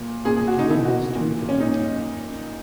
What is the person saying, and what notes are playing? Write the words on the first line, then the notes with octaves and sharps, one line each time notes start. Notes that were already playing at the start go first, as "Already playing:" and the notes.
The game has two difficulty levels.
Already playing: A#2
A#2 G#4
G#4
F#4
D#4
B2 E4
F#4
A#2
C#4
A#2 D#4